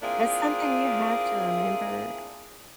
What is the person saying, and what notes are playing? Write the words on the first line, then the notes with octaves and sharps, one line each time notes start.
That's something you have to remember.
A#3 C4 D4 E4 F4 G#4